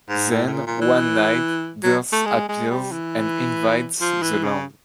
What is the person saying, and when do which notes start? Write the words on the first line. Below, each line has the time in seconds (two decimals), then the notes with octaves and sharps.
Then, one night, Dirth appears and invades the land.
0.09 G#2
0.31 A2
0.47 A2
0.52 A#2
0.66 A#2
0.81 E3
1.83 F#3
2.12 A3
2.26 G#3
2.49 G#3
2.70 G3
2.92 E3
4.01 F3
4.22 E3
4.44 C#3